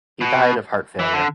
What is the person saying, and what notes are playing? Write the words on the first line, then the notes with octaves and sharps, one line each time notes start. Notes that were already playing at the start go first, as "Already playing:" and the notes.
He died of heart failure.
B2
E3
D3